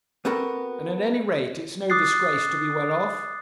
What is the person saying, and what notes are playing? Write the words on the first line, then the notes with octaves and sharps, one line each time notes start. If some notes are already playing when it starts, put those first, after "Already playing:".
'And at any rate, it is no disgrace to be well off.'
B3 C4 F#4 A4 A#4
D6 D#6 F#6 A6 C7